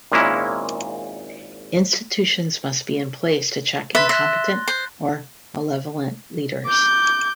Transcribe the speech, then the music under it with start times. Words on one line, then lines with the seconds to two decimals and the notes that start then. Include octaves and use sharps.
Institutions must be in place to check incompetent or malevolent leaders.
0.12 G#1 A#2 G#3 A#3 C#4 E4
3.95 B4 E5 C6 A6 G7
4.09 E5 F#6 A#6
4.68 C5
6.66 D6 G6